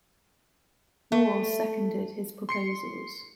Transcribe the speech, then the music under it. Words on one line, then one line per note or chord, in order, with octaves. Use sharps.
Warre seconded his proposals.
A3
C6 C7 C#7